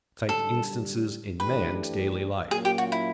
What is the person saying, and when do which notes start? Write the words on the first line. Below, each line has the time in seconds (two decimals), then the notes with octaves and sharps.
Cite instances in man's daily life.
0.29 F#2 D3 G3 A4
1.40 E3 A3 D4 G4 B4
2.51 A#2 F#3 A#3 C#4 F4 G#4
2.65 G4
2.78 F#4
2.92 E4